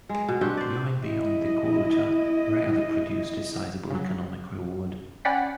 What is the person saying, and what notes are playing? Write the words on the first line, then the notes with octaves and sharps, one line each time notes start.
Going beyond the quota rarely produced a sizeable economic reward.
G#3
B2
C4 D4 F#4 G4
C5 D5
E4 D#5
C#3 F#3
C#4 D5 F#5 G5 B5